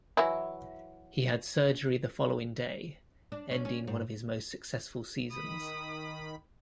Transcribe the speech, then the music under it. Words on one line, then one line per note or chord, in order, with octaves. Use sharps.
He had surgery the following day, ending one of his most successful seasons.
E3 F#3 E4
D4
C#4
C#4
G#2
D#3 B5 D#6